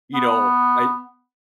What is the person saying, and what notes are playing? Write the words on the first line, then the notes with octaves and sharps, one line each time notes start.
you know, I
B3